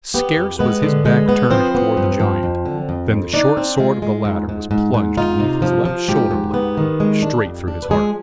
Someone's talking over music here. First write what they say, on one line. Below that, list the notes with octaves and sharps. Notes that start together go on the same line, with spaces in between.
Scarce was his back turned toward the giant than the short-sword of the latter was plunged beneath his left shoulder blade, straight through his heart.
B3 G4
F2
G#3 B3 B4
D3
G#3
B3
F3 C4 C5
B3
G2
F3
F2
D3
F2
F2
D4 D#4 D5
C4
G#3 F4
G#3
G#2
G#2
G#2
G#2
D#4 F4
C3
F3
F3
G#2 G4
G#2
B3
D#3
G#3
D4
F2
D4
B4
F3 G#3 G#4